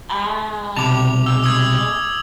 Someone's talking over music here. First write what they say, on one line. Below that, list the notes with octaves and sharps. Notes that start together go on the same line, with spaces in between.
Ah, uh-huh.
B1 C3 A5 D6 F7
E6
D#6 E6 G#6